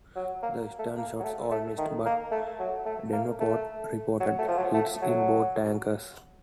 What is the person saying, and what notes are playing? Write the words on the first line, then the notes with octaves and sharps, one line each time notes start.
The stern shots all missed, but Davenport reported hits in both tankers.
F#3
A#3
A3
A#3
F#3
A3
A3
D#3
A#3
A3
F#3
A3
A#3
A3
F#3
A3
F3
F#3
A3
F#3